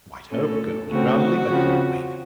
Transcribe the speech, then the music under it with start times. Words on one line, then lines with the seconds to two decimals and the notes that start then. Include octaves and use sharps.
The White Hope gurgled drowsily, but did not wake.
0.31 A#2 A3 C#4 A4
0.90 C#3 A3 C4 F#4
1.49 C#3 F3 C4